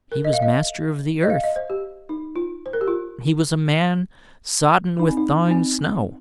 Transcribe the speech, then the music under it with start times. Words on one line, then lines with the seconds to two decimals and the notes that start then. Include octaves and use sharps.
He was Master of the Earth, he was a man sodden with thawing snow.
0.12 A#4
0.25 D#5
0.33 F5
0.42 D#5
1.23 D#5
1.30 F5
1.44 D#5
1.56 C5
1.70 G4
2.09 D#4
2.36 F4
2.66 C5
2.73 A#4
2.81 G4
2.88 F4
4.99 D#4
5.09 C4
5.17 D#4
5.47 D#4
5.51 C4